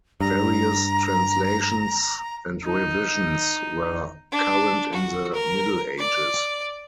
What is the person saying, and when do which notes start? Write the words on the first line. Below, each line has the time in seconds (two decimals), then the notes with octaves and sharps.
Various translations and revisions were current in the Middle Ages.
0.20 G2 A#5
2.65 D#4
4.32 D4
4.93 F#4
5.33 A#4
5.98 D5